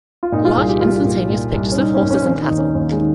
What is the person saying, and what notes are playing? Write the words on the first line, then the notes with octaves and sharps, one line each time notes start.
Large instantaneous pictures of horses and cattle’.
F4
A#2 D#4
F4
C2 G#4
G4
C2 F4
A#2
A#2
C2
C#4
C2 D#4
C#4
A#2
C#4
C4
D#3 C#4
D#4
D#2
C#4
D#2 C#4
G#3
D#3